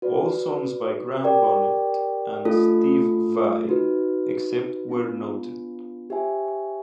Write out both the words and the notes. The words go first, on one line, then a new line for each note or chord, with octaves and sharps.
All songs by Graham Bonnet and Steve Vai, except where noted.
F#4 B4 D5
G4 A#4 D5 G5
A3 D4 F4 A4
D#4 F#4 B4
B3 D4 F4
G4 C5 E5 G#5